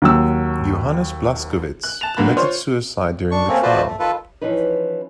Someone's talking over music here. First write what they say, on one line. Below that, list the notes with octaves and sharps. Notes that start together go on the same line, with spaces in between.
Johannes Blaskowitz committed suicide during the trial.
D#2 F#3 E6
F#6
A5 E7 F7
F#1 G2 D3 A#3 F#4 B5
F4 C5 C#5 C6
D4 C#6
C3 A3 A#3 C4 C#4
A3 F4 F#4 B4 C5 D5
A3
D#3 F4 A4 B4
E3 F3 C#4 D#4 B4